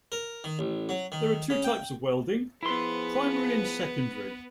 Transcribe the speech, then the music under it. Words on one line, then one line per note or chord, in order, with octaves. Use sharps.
There are two types of welding, primary and secondary.
A#4
D#3
A1
F#3
D#3
C#3
G5
F3 B3 E4 G#4 B4 C6